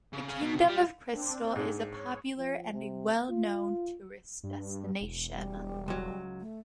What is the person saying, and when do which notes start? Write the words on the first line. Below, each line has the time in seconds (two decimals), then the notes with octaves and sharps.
The Kingdom of Crystal is a popular and a well known tourist destination.
0.13 C#3
0.28 G#4 F5
0.42 B2
0.55 B1 C3
0.68 G3
1.13 C4 D4
1.56 G#2
1.91 C#5
2.38 F3
2.73 C3
3.29 F4
4.43 G2
5.01 E1
5.34 G3
5.88 C#2 F#3
6.41 A3